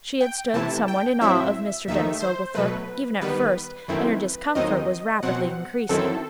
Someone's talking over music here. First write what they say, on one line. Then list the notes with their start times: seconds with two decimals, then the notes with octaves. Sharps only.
She had stood somewhat in awe of Mr. Denis Oglethorpe, even at first, and her discomfort was rapidly increasing.
0.21 G5
0.54 C3 E3 A3 E4 A5
0.88 G5
1.21 A2 F#3 C4 E4 E5
1.88 D#2 D#3 A3 D#4 E5
2.21 C5
2.55 B2 F#3 A3 B4
3.21 D#3 G3 B3 B4
3.88 F#2 D#3 A3 C4 E4
4.55 D#2 D#3 F#3 C4 D#4 D#5
5.23 B2 F#3 C4 F#5
5.89 F#2 D#3 F#3 C4 E4 A4